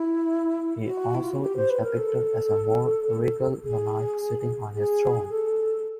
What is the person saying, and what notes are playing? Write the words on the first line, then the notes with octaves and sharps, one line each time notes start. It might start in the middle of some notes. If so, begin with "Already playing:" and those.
He also is depicted as a more regal monarch sitting on his throne.
Already playing: E4
F#4
E4
F4
F#4
G4
C5
B4
A#4
A4
G#4
G#4
A4